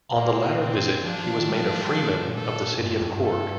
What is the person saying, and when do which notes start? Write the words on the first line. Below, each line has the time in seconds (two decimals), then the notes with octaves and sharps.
On the latter visit, he was made a Freeman of the City of Cork.
0.16 A#2 A#3
0.61 C4
1.04 F3 D4
1.19 F3
1.34 D#3
1.49 G3
1.59 F3
1.71 F3
1.81 G3
1.91 F3
2.03 D#3
2.14 D3
2.25 A#2
2.36 A4
2.79 G2
2.91 G2
3.01 F2
3.12 G2
3.23 A4